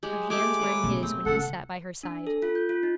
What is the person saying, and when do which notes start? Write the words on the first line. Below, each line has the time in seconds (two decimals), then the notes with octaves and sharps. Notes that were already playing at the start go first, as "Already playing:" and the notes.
Her hands were in his when he sat by her side.
0.03 G#3 G4 F#5
0.30 G#3 A3 G4 D6
0.59 B4 C#5 D#5
0.83 B2 C#4
1.03 A#3 C4
1.26 C#3 E3 A4 F#5
2.03 D4
2.27 A4
2.42 F4
2.55 G6
2.69 F4
2.83 D#4